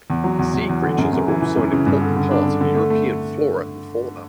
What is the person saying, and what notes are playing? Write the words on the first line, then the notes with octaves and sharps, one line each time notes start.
Sea creatures are also an important part of European flora and fauna.
E2
F#3
E2
E2
E2
D3
F#2
F#2
E3
E3
F#2
C#3
G2
D3
D3
D4
D3
D3
A3
A3
A3